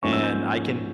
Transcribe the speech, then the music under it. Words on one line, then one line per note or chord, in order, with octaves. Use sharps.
And I can
G#2 F3 A#3 C#4 C#6
E6
G6